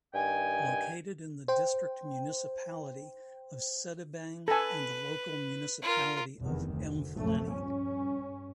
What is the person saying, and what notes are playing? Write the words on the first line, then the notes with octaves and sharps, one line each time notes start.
Located in the district municipality of Sedibeng and the local municipality of Emfuleni.
G2 D#3 G5 G#5
C5 G5
A4 B4 G#5
F4 A#4
F1 E2 D#3
D2
A#1 F#2 F3 A3
G2 C#4